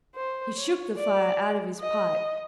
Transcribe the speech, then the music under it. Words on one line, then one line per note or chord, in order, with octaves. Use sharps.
He shook the fire out of his pipe.
C5
C#5
D5
D#5